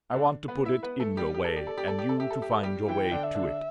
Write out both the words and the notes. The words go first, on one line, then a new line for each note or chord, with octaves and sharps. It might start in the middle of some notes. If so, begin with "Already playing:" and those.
I want to put it in your way, and you to find your way to it.
D3 D4
B3 B4
E4 E5
B3 B4
A3 A4
G3 G4
G4
A4
D5
G4
A4
G4
A4
G4
A4
G4 E5
A4
G4
A4
G3 G4
E3 E4 G5
D3 D4
E5
D3 D4